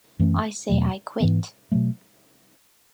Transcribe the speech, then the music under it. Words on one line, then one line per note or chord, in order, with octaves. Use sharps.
I say I quit.
F#2 E3 A3 C#4
E2 B2 F#3 A3
G#2 E3 B3
B2 F#3 A3